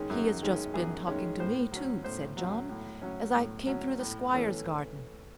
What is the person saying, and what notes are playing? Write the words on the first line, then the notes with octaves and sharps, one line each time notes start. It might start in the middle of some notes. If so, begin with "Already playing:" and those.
"He has just been talking to me, too," said John, "as I came through the squire's garden."
Already playing: D#3 G#3 C#4
F#2
D#3 G#3 C#4
F#2 G#4
D#3 G#3 C#4
A2 C5
F#3 C#4
A2 C5
F#3 C#4
A2
F#3 C#4
A2
F#3 C#4
A2
E3 A3 C#4